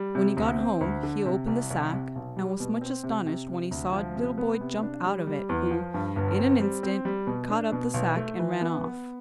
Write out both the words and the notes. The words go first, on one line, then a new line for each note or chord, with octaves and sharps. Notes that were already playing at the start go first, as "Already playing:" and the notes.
When he got home he opened the sack, and was much astonished when he saw a little boy jump out of it, who, in an instant, caught up the sack and ran off.
Already playing: G3
C3
D2
C4
D2
D3
C3
C2
C2
C3
B1
G3
B2
C4
C3
C3
C3
D2
F3
C3
B3
C3
D4
G3
G3
E2
F3
G2
G1
C4
G3
C4
G3
B2
D4
B2
B1
A3
E3
B3
B3